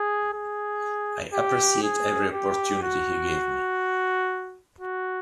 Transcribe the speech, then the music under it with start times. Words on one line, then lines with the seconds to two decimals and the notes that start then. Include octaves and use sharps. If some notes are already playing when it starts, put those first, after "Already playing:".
I appreciate every opportunity he gave me.
Already playing: G#4
0.33 G#4
1.33 G4
1.83 G#4
2.33 G4
2.82 F#4
4.81 F#4